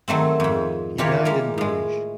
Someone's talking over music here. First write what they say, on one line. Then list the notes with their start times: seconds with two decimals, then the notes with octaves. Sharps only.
He died in Bruges.
0.08 D#3 F#3 A3 C4
0.40 F2 G#2
0.98 D#3 E3 A#3 F4 G4 C#5
1.25 G3 G#3 A#4
1.58 A2 G#3